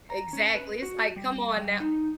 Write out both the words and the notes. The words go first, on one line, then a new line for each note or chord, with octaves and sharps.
Exactly, it's like, "Come on now"
A#5
C#4
B4
F#4
G3
G3
D#4